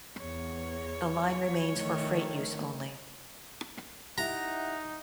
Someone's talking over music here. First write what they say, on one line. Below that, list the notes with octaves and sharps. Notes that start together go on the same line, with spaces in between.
The line remains for freight use only.
E2 C#5
D#3 A3
D#4 E4 G4 F#5 A#5